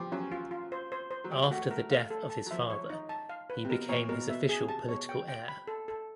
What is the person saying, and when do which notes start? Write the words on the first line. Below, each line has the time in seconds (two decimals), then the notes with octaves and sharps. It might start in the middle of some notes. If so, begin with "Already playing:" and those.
After the death of his father he became his official political heir.
Already playing: F3 G4
0.12 F#3 C#4
0.32 F4
0.51 F4
0.72 C5
0.92 C5
1.11 C5
1.24 F#3
1.31 G3 G5
1.51 A3 F#4
1.70 A3 A#4
1.90 A3 F5
2.10 A4
2.30 A5
2.46 F#3
2.51 F3 E5
2.70 C#5
2.90 D#4
3.09 A5
3.29 F5
3.50 B4
3.65 C3
3.69 B2 A#4
3.89 A#2 C#5
4.09 B2 A#4
4.29 B2 E5
4.49 G#4
4.59 C3
4.69 A5
4.88 B2 C#5
5.09 G5
5.28 G5
5.48 B5
5.67 A4
5.88 A4